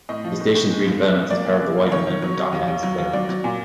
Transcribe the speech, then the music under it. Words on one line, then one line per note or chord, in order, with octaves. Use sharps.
The station's redevelopment is part of the wider Melbourne Docklands development.
A2 D#5
F3
A2
A2
G#3
C#2
C#2
C#2
A#3 D5
A#3
C#3
A#3
D#3 C#5
D#3
F#3
F#3
D#2
D#2
F#3
D#2
F#3 D5
F#3
A#2